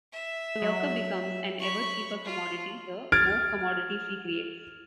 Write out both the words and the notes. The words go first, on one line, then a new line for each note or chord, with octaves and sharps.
The worker becomes an ever cheaper commodity the more commodities he creates.
E5
F#3
B5 C#6
F4
F6 G#6 A6 D7